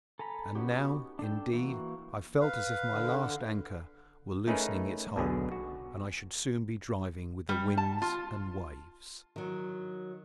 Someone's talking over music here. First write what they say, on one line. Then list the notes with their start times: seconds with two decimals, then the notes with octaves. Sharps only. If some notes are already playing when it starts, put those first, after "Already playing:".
And now, indeed, I felt as if my last anchor were loosening its hold, and I should soon be driving with the winds and waves.
0.19 A4 G#5 A#5 B5
0.55 B3 C#4 D#4 F#4 G4
1.19 D4 A4 G5
1.53 E3 A#3 F#4
2.41 B4 F5
2.91 D3
4.47 A3 C#4 D#4 G#4 A#4 B4
5.16 B1 B2 D3 G#4
5.52 F#4
7.49 G3
7.77 A5
8.02 F4
9.36 D#3 F#3